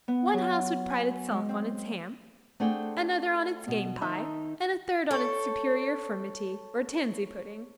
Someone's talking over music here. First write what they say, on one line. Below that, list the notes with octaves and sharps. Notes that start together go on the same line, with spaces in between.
One house would pride itself on its ham, another on its game-pie, and a third on its superior furmity, or tansey-pudding.
B3
F#3
G#5
G#3
C4
A3 C4 D4 G#4 F#5 G5
B2
D#3 D#4 E5 A5
A4 C#5 C#6